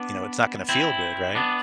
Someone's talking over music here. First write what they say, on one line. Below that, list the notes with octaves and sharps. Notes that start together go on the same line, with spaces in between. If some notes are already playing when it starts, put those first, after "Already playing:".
you know, it's not gonna feel good, right?
Already playing: B3 D4
C4 E4
B3 D4